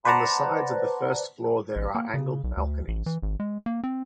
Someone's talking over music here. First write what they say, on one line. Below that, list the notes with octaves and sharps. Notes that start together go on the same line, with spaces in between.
On the sides of the first floor there are angled balconies.
B4 C5 D5 F#5 A5 A#5
A1
A#3
C#3
B1
D2
A1
E3
G#1
G#3
A#3
C4